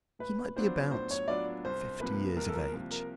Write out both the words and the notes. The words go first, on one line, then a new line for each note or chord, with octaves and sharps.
He might be about fifty years of age.
A2 B4
F#3 B3 D4 F4 C5
A2 C5
C#5
F#3 B3 D4 F4 D5
C2 C5
C3 F3 A#3 B4
C2 A#4
A4
A#4
C3 F3 A#3
A#4